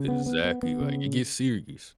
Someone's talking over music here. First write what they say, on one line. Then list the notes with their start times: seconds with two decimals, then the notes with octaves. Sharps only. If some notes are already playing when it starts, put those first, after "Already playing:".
Exactly, like, it gets serious.
Already playing: C#3
0.08 B3
0.26 B3
0.44 B3
0.63 B3
0.80 C#3